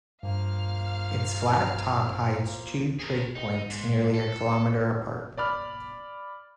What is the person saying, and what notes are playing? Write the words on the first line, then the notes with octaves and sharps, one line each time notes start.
Its flat top hides two trig points nearly a kilometre apart.
G2 F3 A#3 F5 F6
G#4 A#4
D#4
G#2
A4
D5 B5 F6